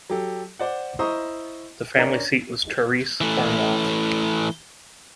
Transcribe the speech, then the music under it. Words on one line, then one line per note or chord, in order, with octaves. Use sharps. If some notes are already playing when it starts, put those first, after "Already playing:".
The family seat was Trerice, Cornwall.
F#3 G4 A4
C5 D5 F#5
E4 C5 D#5 A#5 C#6 D#6
C#4 D4 A#4
E3 A3